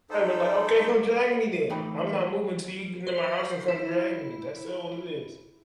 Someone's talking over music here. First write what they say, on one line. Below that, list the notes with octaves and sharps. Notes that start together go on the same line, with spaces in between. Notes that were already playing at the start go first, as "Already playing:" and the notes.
I'd been like, "Okay, come drag me then, I'm not moving 'til you get into my house and come dragging me, that's all it is."
D#4 A4 C5
E3 A3 D#4 G5 B5
C5
E4